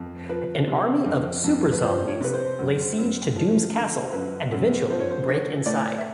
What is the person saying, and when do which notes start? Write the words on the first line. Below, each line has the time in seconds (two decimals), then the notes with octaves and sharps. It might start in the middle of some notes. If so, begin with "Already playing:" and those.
An army of super-zombies lay siege to Doom's castle and eventually break inside.
Already playing: F2
0.29 F3 B4
0.67 C3
1.06 F2
1.44 F2
1.72 B4
1.82 F3 C5
2.08 C#5
2.21 C3 B4
2.34 C5
2.59 F#2
2.98 F#2
3.36 F3
3.75 D3
4.12 F#2 B4
4.52 F#2
4.90 F3 C5
5.00 C#5
5.11 C5
5.27 D3 C#5
5.66 A2 D5
5.98 E5